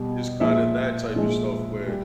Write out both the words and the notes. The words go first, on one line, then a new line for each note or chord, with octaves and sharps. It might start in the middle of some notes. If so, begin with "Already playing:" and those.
just kinda that type of stuff where
Already playing: B2 G3
A#2 F3 G#3 E5
A#2 F3 G#3
G3